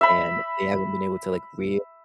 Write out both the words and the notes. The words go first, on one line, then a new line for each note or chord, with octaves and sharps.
and they haven't been able to, like, real
E5 B5